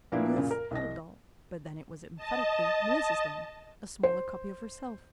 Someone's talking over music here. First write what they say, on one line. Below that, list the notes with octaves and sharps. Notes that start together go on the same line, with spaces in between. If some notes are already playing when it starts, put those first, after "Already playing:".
Mliss had a doll, but then it was emphatically Mliss's doll--a smaller copy of herself.
A#2 F3 A#3 B3 D4 E4
F#2 A#2 C#3
A#4
C2 D#5 A#6
D#5 A5
C5